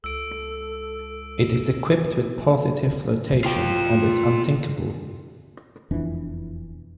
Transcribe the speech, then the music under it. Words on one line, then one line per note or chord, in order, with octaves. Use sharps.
It is equipped with positive flotation and is unsinkable.
C#2 A4 E6 D7
F4 G5
E1 F2 E3 D4